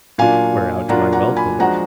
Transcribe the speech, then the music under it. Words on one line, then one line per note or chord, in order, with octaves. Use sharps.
Wear out my welcome.
A#2 F#3 A#3 D4 F4 F5 G#5
A#2 F#3 A#3 D4 F4 F#5 A#5
F#5 A#5
G#5 B5
F3 G#3 D4 F#4 F#5 A#5